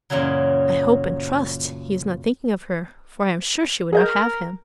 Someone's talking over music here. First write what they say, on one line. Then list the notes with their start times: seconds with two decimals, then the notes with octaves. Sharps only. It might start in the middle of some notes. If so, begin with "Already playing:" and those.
I hope and trust he is not thinking of her, for I am sure she would not have him.'
0.10 F#2 A#2 C#3 E3 F#3
3.93 G#4 A#4 D#5 G6